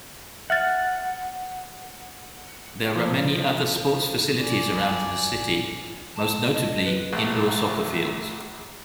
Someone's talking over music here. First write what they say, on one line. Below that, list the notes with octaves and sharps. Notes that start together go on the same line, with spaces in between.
There are many other sports facilities around the city, most notably indoor soccer fields.
E5 F#5 F6 A6
F3
D5 G#5
A5
D#5
B4
A#1 A3